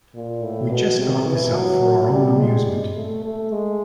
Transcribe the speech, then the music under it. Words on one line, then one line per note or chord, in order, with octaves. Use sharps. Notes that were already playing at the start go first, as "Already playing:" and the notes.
We just got this up for our own amusement.
A#2
A2
B2
C3
E3
F#3
G3
G#3
A3
A3
G#3